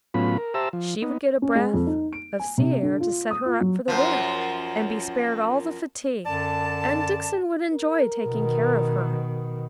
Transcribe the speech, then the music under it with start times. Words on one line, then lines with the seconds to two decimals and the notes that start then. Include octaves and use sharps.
She would get a breath of sea air to set her up for the winter, and be spared all the fatigue, and Dixon would enjoy taking care of her.'
0.14 A2 F#3 B3 C#4 F4 B5
0.38 A#4
0.54 G4 C5 E5 A5 A#5 E6
0.73 F3
1.02 B3 D#4
1.42 C#4
1.55 G#3
1.74 F2
1.87 D#4
2.13 D7
2.39 G#5
2.58 C3
2.83 D3
3.00 F4
3.31 D#6
3.46 F4
3.61 F#3
3.88 F#2 F3
6.26 F#2 D3 D5 A5
7.73 A#4
8.25 B2 D#3